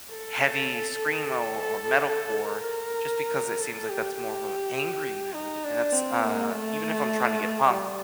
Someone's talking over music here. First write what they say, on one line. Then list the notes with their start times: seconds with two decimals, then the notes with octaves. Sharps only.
heavy screamo, or metal core just because it seems like that's more of an angry mood and that's, uh, even if I'm trying to get pumped,
0.13 A4
1.29 A4
2.44 A#4
3.61 A4
3.89 G4
4.19 G4
5.35 D#4
5.64 D4
5.93 C4
6.22 A#3
6.51 A3
7.67 G3